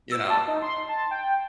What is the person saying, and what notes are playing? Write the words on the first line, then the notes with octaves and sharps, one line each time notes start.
you know?"
E6
A5
D#4
C6
A5
G5